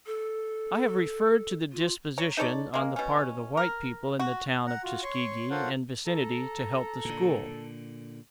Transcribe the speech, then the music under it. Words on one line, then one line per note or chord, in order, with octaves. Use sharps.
I have referred to the disposition on the part of the white people in the town of Tuskegee and vicinity to help the school.
A4
F4
C#5 A#5
D#4 A4 C#5 D5
G#3 A#3
B2 C#4
A#4
F#4
F#5 A#5
F4 F#4
C#5 C6 C#6
F4 A4 A#4 C5 C#5 F#5
A4 A#5
A#2 D3